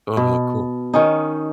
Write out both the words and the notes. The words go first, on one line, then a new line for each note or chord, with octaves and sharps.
Oh, how cool.
B2
D#3 C#4 D#4